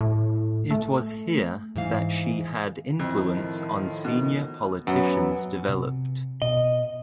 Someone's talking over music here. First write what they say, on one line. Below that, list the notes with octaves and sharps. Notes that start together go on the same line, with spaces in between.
It was here that she had influence on senior politicians developed.
A2
A3
G#2 E3 F5
F2 A2 D#3 F3
B2
F#2 F#3 B3
C3
B2 D#5